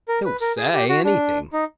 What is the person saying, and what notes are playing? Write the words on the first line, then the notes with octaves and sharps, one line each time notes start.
He'll SAY anything.'
A#4
B4
A#4
G#4
G4
F#4
D4
D#4